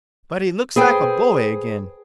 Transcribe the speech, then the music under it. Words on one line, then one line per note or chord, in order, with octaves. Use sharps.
But he looks like a boy again!
G#4 A4 B4 C5 G5